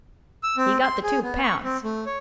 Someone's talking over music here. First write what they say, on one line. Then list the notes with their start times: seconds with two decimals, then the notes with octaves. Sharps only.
He got the two pounds.
0.43 E6
0.57 C4
0.82 C6
1.03 G#4
1.23 B3
1.43 C#6
1.63 C4
1.84 A3
2.06 C#5